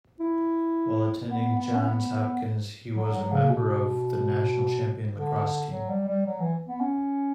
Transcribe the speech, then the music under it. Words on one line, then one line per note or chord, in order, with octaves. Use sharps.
While attending Johns Hopkins he was a member of the National Champion lacrosse team.
E4
B3
B3
C#4
B3
F#3
F#3
C#3
B2
D3
F#3
G3
G3
F#3
E3
B3
C#4